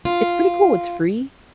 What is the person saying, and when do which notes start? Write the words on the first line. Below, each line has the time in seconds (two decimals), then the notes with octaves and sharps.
It's pretty cool, it's free,
0.05 F4